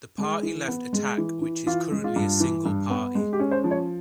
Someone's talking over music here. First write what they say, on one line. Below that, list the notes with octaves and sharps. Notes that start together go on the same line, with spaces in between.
The party left Attack which is currently a single party.
G#3 G#4
E3
B3
G#3
E3
E3
E3 F4
G#3
F4
G2
E3
G2
B3
G#3
G4
C#4
C5
F3
C#5